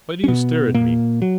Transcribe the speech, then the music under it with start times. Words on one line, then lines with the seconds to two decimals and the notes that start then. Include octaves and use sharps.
Why do you stare at me?
0.24 C#4
0.28 B2 B3
0.74 A#2 A#3
1.22 F#3